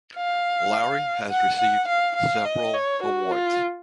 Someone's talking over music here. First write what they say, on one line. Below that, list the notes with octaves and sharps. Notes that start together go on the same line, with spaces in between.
Lowery has received several awards.
F5
F#5
F#5
F5
F5
D#5
C#5
F#4
F4